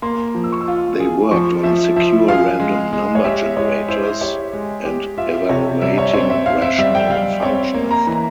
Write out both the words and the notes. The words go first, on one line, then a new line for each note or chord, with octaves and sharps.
They worked on secure random number generators and evaluating rational functions.
A#3 C6
F3
E6
C#6
E6
F4
G#4
F3 C#6
F3 E5
F3 E5
G#4 F5
G#3
G#3
C#5
G4 E5
G#3 C#5
E4 C5
G4 C#5
G#3
G4
F4 E5
C3 C#5
G3 E5
C#5
C4 C#5
E5
C4 F5
E5
G3 E5
G5
G3 F5
C4 C#5
A#3
A#5
E3 A#5